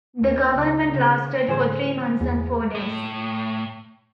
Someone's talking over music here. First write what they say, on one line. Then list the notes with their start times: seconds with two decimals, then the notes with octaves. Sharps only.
The government lasted for three months and four days.
0.21 D#2
0.52 C#2
0.90 C#3
1.48 A2 D3 E3 G#4 C5
2.21 E2
2.75 A2